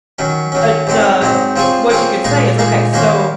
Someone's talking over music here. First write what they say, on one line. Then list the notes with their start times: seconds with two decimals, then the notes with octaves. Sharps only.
but, uh, what you could say is, "Okay, so"
0.19 D#3 F#3 C#4
0.52 D#3 F#3 C#4
0.87 G#2 F#3 C4 D#4
1.22 G#2 F#3 C4 D#4
1.56 F3 C4 F4 G#4 C#5
1.90 F3 C4 F4 G#4 C#5
2.24 A#2 G#3 D#4 G#4
2.58 A#2 G#3 D#4 G#4
2.93 D#3 A#3 C#4 F#4 C5